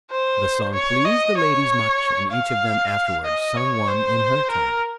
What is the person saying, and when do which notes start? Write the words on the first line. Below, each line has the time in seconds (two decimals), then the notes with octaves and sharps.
The song pleased the ladies much, and each of them afterwards sung one in her turn.
0.11 C5
0.74 C#5
1.05 D#5
1.37 C#5
2.31 F5
3.25 D#5
3.56 C#5
3.88 C5
4.51 A#4